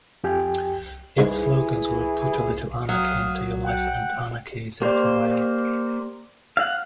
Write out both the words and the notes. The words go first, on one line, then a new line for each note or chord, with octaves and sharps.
Its slogans were "put a little anarchy into your life" and "anarchy is everywhere".
F2 G4 G5 G#5
C2 G#2 E3 G#3 E4 G#4
F#3 F5 G5 D#6
F#5 G5
A#3 G4 C5 D5
F5 F#5